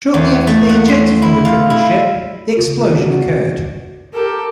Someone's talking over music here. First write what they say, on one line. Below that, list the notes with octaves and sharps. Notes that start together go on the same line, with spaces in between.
Shortly after they ejected from the crippled ship, the explosion occurred.
E2
A3
F#5
C6
E4
F4
E4
C#3 F4
F#4 G#4 D5
G4 A4 A#4